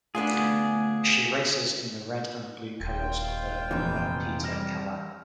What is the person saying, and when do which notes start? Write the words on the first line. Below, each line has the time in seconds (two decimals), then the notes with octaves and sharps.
She races in the red and blue colors of her owner Peter Callahan.
0.15 A3 B3 D4 F4 G#4 D#6
2.80 D#1 F4 G5
3.71 F1 A#1 F2 E3
4.44 G3 F6 A#6 E7